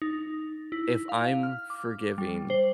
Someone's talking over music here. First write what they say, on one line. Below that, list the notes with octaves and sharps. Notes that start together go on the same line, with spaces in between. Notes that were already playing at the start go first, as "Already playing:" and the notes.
if I'm forgiving
D#4
E4
F5
F6
D6
G3
C5